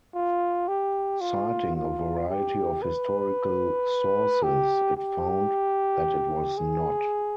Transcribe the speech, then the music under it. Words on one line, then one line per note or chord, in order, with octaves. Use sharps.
Citing a variety of historical sources, it found that it was not.
F4
G4
F4
F4
G4
B4
G4
G4
G#4